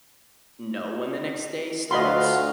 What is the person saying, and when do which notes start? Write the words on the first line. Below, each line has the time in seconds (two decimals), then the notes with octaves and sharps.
know when the next day starts,
1.91 D2 F4 F#4 D#5 B5 C6